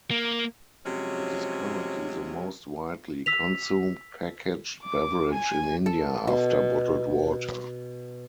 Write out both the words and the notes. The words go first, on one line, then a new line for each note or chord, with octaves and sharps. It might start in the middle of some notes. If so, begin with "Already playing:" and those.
It is currently the most widely consumed packaged beverage in India, after bottled water.
A#3
C3 F3 F#3 G#3 C#4
E6 B6 F7
D6
G#5
A4
B2